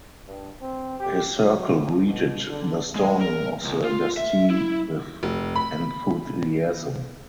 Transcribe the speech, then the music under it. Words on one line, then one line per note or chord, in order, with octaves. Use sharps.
His circle greeted the Storming of the Bastille with enthusiasm.
G2
C4
G4
F#3
F#3
B2
D3
G#3
A#4
C#2
F4
E5
E4
F1
B5